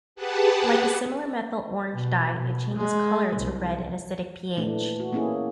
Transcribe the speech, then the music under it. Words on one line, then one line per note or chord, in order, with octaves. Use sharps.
Like a similar methyl orange dye, it changes color to red in acidic pH.
G4 G#4 B4 F#5 A5
B2
B2
G#3
C2
A#2 E3 A3 D4
F#4
A#3 B3 C#4 E4 G#4